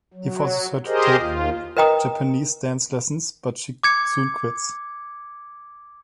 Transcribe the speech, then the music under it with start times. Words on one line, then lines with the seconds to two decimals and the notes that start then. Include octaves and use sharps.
He forces her to take Japanese dance lessons, but she soon quits.
0.14 F#3
0.86 G4 G#4 A#4 C5 D#5
1.19 D#2 F4
1.77 A#4 B4 D#5 G5 A#5 D#6
3.83 D6 G#6 C#7